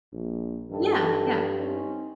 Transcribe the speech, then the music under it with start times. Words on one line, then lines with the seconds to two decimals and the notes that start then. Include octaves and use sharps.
Yeah, yeah.
0.13 A#1
0.71 G2 D#3 A4
1.58 C4 C#4 D#4